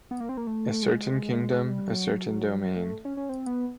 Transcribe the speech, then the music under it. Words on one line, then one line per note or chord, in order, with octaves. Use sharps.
A certain kingdom, a certain domain.
B3
A#3
C4
A#3
A3
G#3
G#3
G3
F#3
A3
C#4
C#4
C4
B3